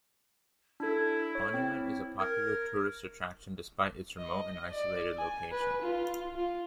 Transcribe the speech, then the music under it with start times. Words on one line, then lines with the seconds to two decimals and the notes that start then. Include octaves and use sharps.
The monument is a popular tourist attraction despite its remote and isolated location.
0.80 D4 E4 A4
1.35 C#5
1.54 C4
2.20 A#4 G#6
4.18 D#5
4.72 D5
5.18 G#5
5.52 B4
5.82 F4
6.36 F4